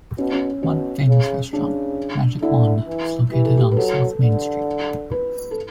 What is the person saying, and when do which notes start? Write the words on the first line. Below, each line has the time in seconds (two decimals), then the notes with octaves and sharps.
One famous restaurant, Magic Wand, is located on South Main Street.
0.18 B2 C#4
0.33 C#4
0.63 B2 C#4
1.08 C#3
1.53 C#3 D4
2.42 D3 E4
2.87 E3
3.31 E3 G4
3.45 A4
3.57 G4
3.71 B4
3.77 F#3 A4
4.22 D3
5.12 B4
5.51 A4